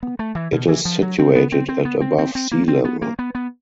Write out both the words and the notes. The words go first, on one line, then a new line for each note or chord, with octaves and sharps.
It is situated at above sea level.
B3
A3
E3
B2
E3
F3
F#3
C4
B3
C4
C4
B3
C4
C4
C4
A#3
C4
B3
A#3
B3
B3